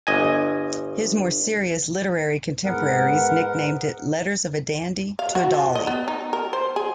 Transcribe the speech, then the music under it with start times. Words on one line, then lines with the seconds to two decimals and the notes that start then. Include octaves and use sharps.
His more serious literary contemporaries nicknamed it Letters of a Dandy to a Dolly.
0.07 G1 D#5 G#5
2.64 G#2 B3 A#4 F#5
5.19 F5
5.35 F#4
5.54 F3
5.75 D#5
5.87 B3
6.08 D#4
6.33 A#4
6.53 C5
6.76 G#4